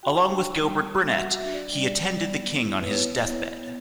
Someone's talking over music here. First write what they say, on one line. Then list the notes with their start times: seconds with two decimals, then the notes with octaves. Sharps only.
Along with Gilbert Burnet he attended the King on his deathbed.
0.03 F#4 G5
0.25 G5
0.31 D4
0.59 G3
0.87 G3
1.09 E5
1.16 F#4 F#5
1.35 E5
1.44 D4
1.54 D5
1.72 G3 D5
2.02 G3
2.30 B3
2.59 E4
2.81 B4
2.86 B3 C#5
3.15 E4
3.44 B3